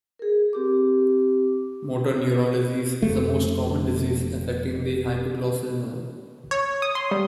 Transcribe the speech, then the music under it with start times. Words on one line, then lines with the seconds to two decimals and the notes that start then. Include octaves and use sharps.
Motor neuron disease is the most common disease affecting the hypoglossal nerve.
0.19 G#4 A#4
0.53 C4 G4 D6
3.02 F1 A3
6.51 C#5
6.82 D#6
6.95 C6
7.11 G3